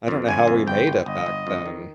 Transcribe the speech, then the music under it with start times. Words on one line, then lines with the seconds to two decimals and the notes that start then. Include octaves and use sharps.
I don't know how we made it back then.
0.08 F2
0.28 G1 G#5
0.48 F2
0.67 G1 G5
0.87 G1
1.06 G1 D#5
1.26 G1
1.47 F2
1.66 D#3